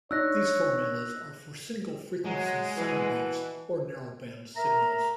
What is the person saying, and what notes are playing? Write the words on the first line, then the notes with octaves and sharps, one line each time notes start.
These formulas are for single-frequency sine waves or narrowband signals.
D4 D#4 C#5 E6 F#6 A#6
F#3 G#3
B2 E3
A#4 E5 A#5